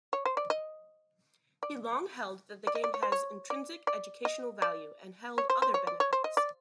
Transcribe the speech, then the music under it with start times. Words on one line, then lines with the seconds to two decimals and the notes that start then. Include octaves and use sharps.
He long held that the game has intrinsic educational value and held other benefits.
0.13 C#5
0.25 C5
0.37 D5
0.50 D#5
1.63 D5
2.67 D5
2.75 D#5
2.84 D5
2.94 C#5
3.03 C5
3.12 C#5
3.50 D5
3.87 D5
4.25 D#5
4.62 D5
5.38 C#5
5.50 C5
5.62 C5
5.74 C#5
5.87 D5
6.00 C#5
6.13 C5
6.24 D#5
6.37 D5